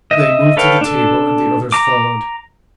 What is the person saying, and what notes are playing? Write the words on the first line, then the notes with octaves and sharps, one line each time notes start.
They moved to the table and the others followed.
D#5 E5
A4 B4 C#5 F5 G5
D4 A4
A#5 D6